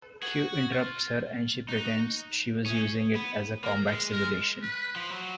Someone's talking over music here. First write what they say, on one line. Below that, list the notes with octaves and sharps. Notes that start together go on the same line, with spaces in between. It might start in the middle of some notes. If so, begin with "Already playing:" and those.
Q interrupts her, and she pretends she was using it as a combat simulation.
F#4 G#4
F4
D#4 F#4
C#4 G#4
B3
A#3 A#4
G#3
A#4
B4
F3
F#3